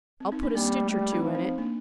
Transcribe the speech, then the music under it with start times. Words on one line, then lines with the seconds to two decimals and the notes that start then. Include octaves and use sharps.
I'll put a stitch or two in it.
0.20 C4
0.32 C4 D#4
0.43 A#3 D4
0.55 G3 A#3
0.62 C4
0.66 A#3
0.78 A3
0.89 G3 A3
1.01 A3
1.12 C4 D#4
1.23 F3
1.35 C4 D#4
1.47 C4
1.58 A#3 D4